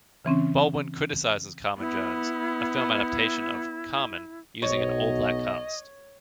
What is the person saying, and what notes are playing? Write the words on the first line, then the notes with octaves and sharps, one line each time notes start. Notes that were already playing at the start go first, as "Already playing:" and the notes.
Baldwin criticises Carmen Jones, a film adaptation of "Carmen" using an all black cast.
C#3 E3 C4 C#4
B3 E4
B1 B2 C#5 D#5